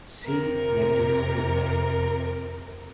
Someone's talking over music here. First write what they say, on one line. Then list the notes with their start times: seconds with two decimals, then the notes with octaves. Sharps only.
See Negative feedback.
0.23 F2 C3 A#4